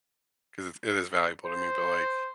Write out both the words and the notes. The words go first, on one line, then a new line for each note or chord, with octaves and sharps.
'cause it's it is valuable to me, but, like,
C5